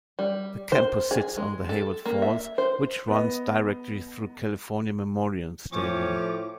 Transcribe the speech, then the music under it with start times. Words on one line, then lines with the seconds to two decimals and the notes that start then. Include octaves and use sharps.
The campus sits on the Hayward Fault, which runs directly through California Memorial Stadium.
0.19 G3
0.72 C5
1.11 G#4
1.37 G#3
1.69 A4
2.06 A#3
2.22 E5
2.58 C5
3.08 B3 D#5
5.72 A2 F3 C#4 D6